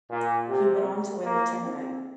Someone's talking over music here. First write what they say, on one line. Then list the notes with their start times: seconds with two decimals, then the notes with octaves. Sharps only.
He went on to win the tournament.
0.10 A#2
0.48 C3
1.24 A#3
1.63 C4